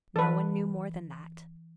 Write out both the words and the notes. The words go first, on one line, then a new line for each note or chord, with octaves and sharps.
No one knew more than that.
E3 A4 B4